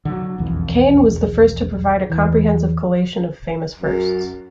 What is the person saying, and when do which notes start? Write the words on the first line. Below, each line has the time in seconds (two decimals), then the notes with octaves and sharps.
Kane was the first to provide a comprehensive collation of famous firsts.
0.05 D3 E3 F#3
0.38 E1 B1 F2 E3
2.10 E2 E3
3.78 F#2